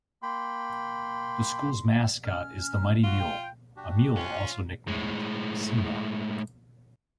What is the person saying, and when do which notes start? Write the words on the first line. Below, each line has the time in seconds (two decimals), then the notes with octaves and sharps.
The school's mascot is the "Mighty Mule", a mule also nicknamed "Seymour".
0.23 A#3 G5 B5 C6
2.25 C#4 F6
3.04 F4 F#4
3.20 G5
3.76 D4 F#4 G4
4.17 C#4 F4
4.88 A2 G#3